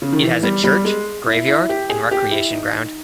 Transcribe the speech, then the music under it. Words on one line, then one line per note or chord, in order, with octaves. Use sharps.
It has a church, graveyard and recreation ground.
C#3
D#3
E3
G3
G3
G#3
E4
E4
G4
G#4
G4
E4
D#4